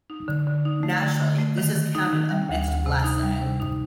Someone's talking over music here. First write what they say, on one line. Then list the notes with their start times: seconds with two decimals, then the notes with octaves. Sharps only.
Naturally, this is counted a mixed blessing.
0.10 D#4
0.28 D3
0.47 D3
0.65 D#4
0.83 A3
1.02 D3
1.21 D3
1.39 A3
1.58 D#3
1.76 D#3
1.95 D#4
2.13 D#3
2.31 G3
2.49 D2
2.68 D2
2.86 C3
3.04 D#4
3.23 G3
3.41 C3
3.60 D#4